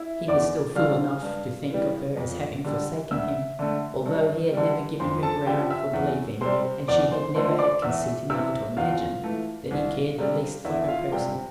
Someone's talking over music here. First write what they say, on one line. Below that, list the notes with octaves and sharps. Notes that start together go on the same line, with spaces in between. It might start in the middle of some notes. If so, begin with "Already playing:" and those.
He was still fool enough to think of her as having forsaken him, although he had never given her ground for believing, and she had never had conceit enough to imagine, that he cared the least for her person.
Already playing: E4 E5
E2 D5 D6
D3 G3 F5 F6
G2
E3 G3
F2
D3 G3
D2 E5 E6
D3 A3
G2
D3 G3
F2 C5 C6
A4 A5
D3 F3 G4 G5
E5 E6
E2
C3 G3 C5 C6
E2 D5 D6
C5 C6
D3 F3 A3 C5 C6
D5 D6
E2 E5 E6
C3 E3 E5 E6
E2 F4 F5
E3 A3
C2
C3 G3
E2 E4 E5
E5
F4 F5
C3 G3 G4 G5